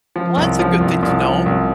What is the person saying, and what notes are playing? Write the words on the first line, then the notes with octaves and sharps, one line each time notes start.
Well, that's a good thing to know.
F3
C2
F3
C2
C2
F3
C2